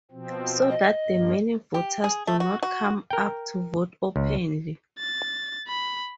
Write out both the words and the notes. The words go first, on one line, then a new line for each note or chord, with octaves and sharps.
So that the many voters do not come up to vote openly.
B2 F3 C4
D#5
G2 F3 A#3
G4
G#4
A3
F#4
F#4
A#4 G5
C#2
A6
B5